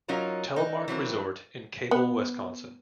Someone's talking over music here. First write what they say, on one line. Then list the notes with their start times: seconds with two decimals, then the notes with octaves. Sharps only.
Telemark Resort in Cable, Wisconsin.
0.08 F#3 C#4 D#4 F4 A#4
0.56 D3 D#4
0.88 E3 F#3 C4 A#4
1.91 B3